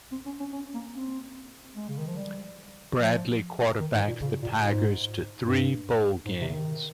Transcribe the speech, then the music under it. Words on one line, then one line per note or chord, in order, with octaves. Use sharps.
Bradley quarterbacked the Tigers to three bowl games.
C4
C#4
C#4
C#4
A#3
C4
G#3
C#3
D#3
F3
G3
F3
D#3
G#2
A#2
C#3
A#2
G#2
G2
G#2
C3
C#3
D#3